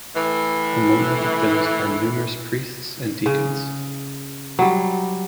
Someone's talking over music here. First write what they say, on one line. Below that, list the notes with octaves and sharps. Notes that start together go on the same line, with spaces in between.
Among the victims are numerous priests and deacons.
A2 E3
C#3
F#3 G3